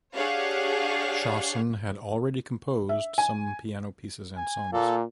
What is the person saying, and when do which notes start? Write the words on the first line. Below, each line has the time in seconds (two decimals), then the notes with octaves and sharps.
Chausson had already composed some piano pieces and songs.
0.16 D4 G4 G#4 C#5 F5 F#5
2.89 E5
3.18 G#5
4.37 G#5
4.73 A#2 A#3 A4